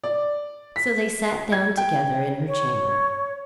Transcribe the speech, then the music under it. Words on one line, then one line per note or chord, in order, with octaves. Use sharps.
So they sat down together in her chamber.
D5
B6
G#6
G5
C#5